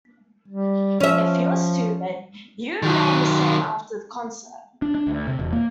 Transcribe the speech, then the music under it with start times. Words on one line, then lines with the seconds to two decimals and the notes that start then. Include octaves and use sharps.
If you're stupid, you remain the same after the concert.
0.48 G3
1.00 F3 C#4 E5
2.82 D#3 F#3
4.82 D4
4.95 D4
5.07 D2
5.27 C3
5.39 E1
5.53 A#3